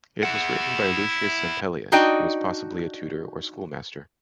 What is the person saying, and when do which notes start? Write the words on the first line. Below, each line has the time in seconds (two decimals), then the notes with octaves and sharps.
It was written by Lucius Ampelius, who was possibly a tutor or schoolmaster.
0.23 E4 F#5
1.92 D4 D#4 F#4 D5 D#5 G5